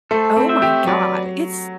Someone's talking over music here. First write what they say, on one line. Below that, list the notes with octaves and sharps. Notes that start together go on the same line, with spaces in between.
"Oh, my god." It's
A3 A4 C5
C4
C5 E5
G4
F#3 B4 D5